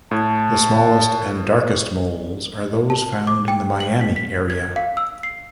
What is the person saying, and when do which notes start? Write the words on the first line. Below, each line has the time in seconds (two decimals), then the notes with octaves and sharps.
The smallest and darkest moles are those found in the Miami area.
0.11 A2 A5 G#6
2.90 A5
3.27 D6
3.48 G5
3.80 F#7
4.01 B6
4.16 B6
4.50 G#6
4.76 F5
4.97 E6
5.23 C7